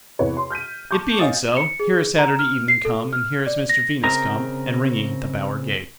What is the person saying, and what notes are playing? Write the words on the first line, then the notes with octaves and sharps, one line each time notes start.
It being so, here is Saturday evening come, and here is Mr Venus come, and ringing at the Bower-gate.
E2 C3 E3 B4 C#5
C6
F6 G6 B6 D#7
A5 C#6 D6 G6
C#5 D#5 F5 G#5 D#6 A6
C#7
G#4
A#5
F6
C7
A4
F6
D5
A#6
C#3 C4 A#4 D#5 A#5